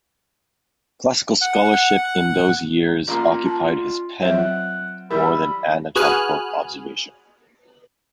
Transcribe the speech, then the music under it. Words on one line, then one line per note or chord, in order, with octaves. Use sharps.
Classical scholarship in those years occupied his pen more than anatomical observation.
F#5
A1 A#3 F4 C6
A5
F#3 C4 F4 C5 C#5 E5
F#5
E3 G3 A#4 E5 B5
F#4 G#4 B4 G#5 F6 F#6